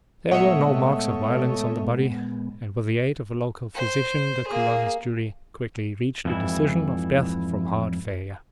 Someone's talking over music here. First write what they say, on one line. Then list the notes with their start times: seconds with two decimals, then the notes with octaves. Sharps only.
There were no marks of violence on the body, and with the aid of a local physician the coroner's jury quickly reached a decision of death from heart failure.
0.31 A#2 G#3 A3 B3 C#5 D#5 E5 F#5
3.74 C5
4.47 A#3 G#4
6.25 F2 G#2 E3 G3 E4